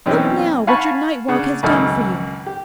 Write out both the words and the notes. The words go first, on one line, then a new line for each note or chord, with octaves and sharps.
Look, now, what your night walk has done for you!
F#2 B2 E3 C4 C#4 G4
F5 F#5 G#5 A5 B5 C#6
C#3 D4 F#5
G#1 C#2 F#2 A4 D#5 F6
G4